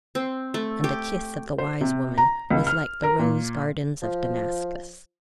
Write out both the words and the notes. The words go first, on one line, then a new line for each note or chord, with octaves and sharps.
And the kiss of the wise woman was like the rose-gardens of Damascus.
C4
A3
G4
C5
C3
A#5
C#2
F6
A#4
A#2
F3